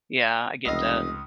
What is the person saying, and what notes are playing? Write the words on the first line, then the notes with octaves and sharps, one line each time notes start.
Yeah, I get that.
F1 C#2 D#5 F5 D#6 E6